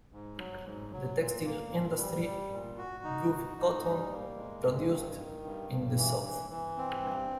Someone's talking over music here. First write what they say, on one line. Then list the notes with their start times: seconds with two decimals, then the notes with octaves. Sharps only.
The textile industry wove cotton produced in the South.
0.12 G#2
0.38 F#3
0.64 G#2
0.91 F#3
1.19 A#2
1.45 A#3
1.71 A#2
1.97 G3
2.25 G3
2.51 A#2
2.78 F#4
3.04 D#4
3.31 F#4
3.58 D#4
3.84 G3
4.10 A#3
4.37 G#3
4.64 G2
4.90 D#3
5.18 D#3
5.44 G2
5.71 G2
5.97 E3
6.24 E3
6.50 E3
6.78 C4
7.04 G2